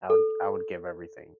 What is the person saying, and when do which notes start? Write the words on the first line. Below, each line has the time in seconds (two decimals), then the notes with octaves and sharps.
I would I would give everything.
0.10 A4